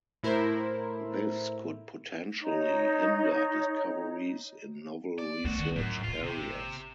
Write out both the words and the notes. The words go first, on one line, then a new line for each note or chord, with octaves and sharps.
This could potentially hinder discoveries in novel research areas.
A2 E4 A#4 C5
D#4 C#5
D5
G2 A3 B3 F#4
D#3
F#2 A2 F4
G#1 A#2 F4
C3